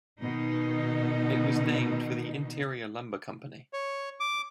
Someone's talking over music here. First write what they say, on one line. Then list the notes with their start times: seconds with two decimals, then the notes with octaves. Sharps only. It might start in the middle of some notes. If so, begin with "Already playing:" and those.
It was named for the Interior Lumber Company.
0.21 B2 D#3 D#4
3.73 C#5
4.20 D6